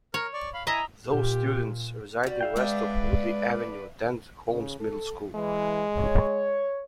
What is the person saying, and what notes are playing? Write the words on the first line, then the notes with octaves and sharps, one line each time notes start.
Those students residing west of Woodley Avenue attend Holmes Middle School.
A#4 C#5
D5 C#6
F5 B5
E4 D#5 E5 G#5 A#5
A#2 G4
E3 G3 F#4
E5 F5 G5
G#3 B3 D4 B4 D5
C#3
A4
E3 G#3
C#5